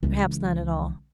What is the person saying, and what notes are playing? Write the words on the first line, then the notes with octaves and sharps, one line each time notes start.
Perhaps not at all.
C#2 E3